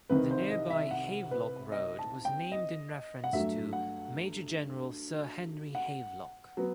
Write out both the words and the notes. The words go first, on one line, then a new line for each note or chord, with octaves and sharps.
The nearby Havelock Road was named in reference to Major-General Sir Henry Havelock.
C2 C3 D#3 B4
C5
D#5
E5
F#5
B4
D#5
A5
G5
D#5
F#5
G2 F#3 A3 E5
F#5
F#5
F#3 B3